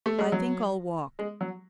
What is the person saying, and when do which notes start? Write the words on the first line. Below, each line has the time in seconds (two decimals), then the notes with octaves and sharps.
"I think I'll walk."
0.06 A3
0.18 G#3
0.32 F#3
1.19 G#3
1.41 F#3